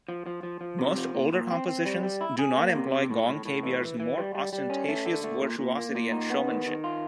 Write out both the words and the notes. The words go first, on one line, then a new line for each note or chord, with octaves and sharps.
Most older compositions do not employ gong kebyar's more ostentatious virtuosity and showmanship.
F3
F3
F3
F3
C3
F3
A#2
A#2
C4
C4
G3
G3
E4
G#4
A#3
C3
C3
A2
A2
A2
E3
E3
E3
G3
G3
G3
C#4
A3
D3
A3
A#2
A#2
A#3
A#2
D#4
B3
D#3
D#3
F4